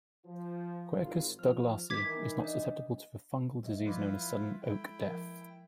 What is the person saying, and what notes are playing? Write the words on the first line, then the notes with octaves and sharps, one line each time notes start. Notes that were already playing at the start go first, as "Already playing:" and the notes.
"Quercus douglasii" is not susceptible to the fungal disease known as sudden oak death.
F3
G#1 F4
F3 F6
D#3 E3 D6 G#6 B6
D4 D#5
F#3 D#5 E5
F3 E4 F4 B4 D5 D6
G#3 E4 A4 G5
F3 A#4 B4